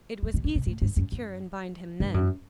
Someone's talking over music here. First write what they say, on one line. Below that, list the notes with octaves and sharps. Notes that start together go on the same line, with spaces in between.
It was easy to secure and bind him then.
F#3
D#3
D3
C3
A2
G2
F#2
F#2
G2
F#2